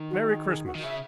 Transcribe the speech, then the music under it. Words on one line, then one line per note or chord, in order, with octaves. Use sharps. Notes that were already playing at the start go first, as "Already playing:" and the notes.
Merry Christmas!'
Already playing: D#3
F#4
G#4
G#4
F#4
D#3
C#3 E5